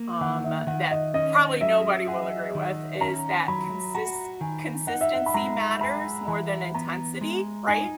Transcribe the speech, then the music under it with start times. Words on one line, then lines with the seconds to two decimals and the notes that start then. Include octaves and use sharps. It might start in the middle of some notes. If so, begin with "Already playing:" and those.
um, that probably nobody will agree with is that consis consistency matters more than intensity, right?
Already playing: A#3
0.21 D#3 F#5
0.44 E5
0.67 D#3 F#5
0.91 D#5
1.14 C#4 D#5
1.61 F#3 E5
2.07 G#4 F#5
2.55 D#3
3.00 C#4 A#5
3.48 F#3 B5
3.95 F#4 A#5
4.41 D#3 G#5
4.87 D#4 F#5
5.01 E5
5.14 F#5
5.26 B5
5.34 G#3 A#5
5.81 G#4 B5
6.28 E3 B5
6.74 B3 A#5
7.21 G#3
7.68 D#4 G#5